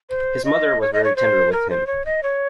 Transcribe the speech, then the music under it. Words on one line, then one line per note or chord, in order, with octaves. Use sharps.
His mother was very tender with him.
C5
D#5
C#5
D#5
C#5
C5
A#4
C5
C#5
D#5
C#5